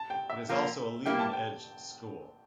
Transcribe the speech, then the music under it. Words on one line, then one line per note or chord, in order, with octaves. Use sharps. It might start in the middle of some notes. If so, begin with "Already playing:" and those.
It is also a Leading Edge school.
Already playing: A5
G5
E5
F3 A#3 F4
G3 A#3 E4 G4 G5
A5
G5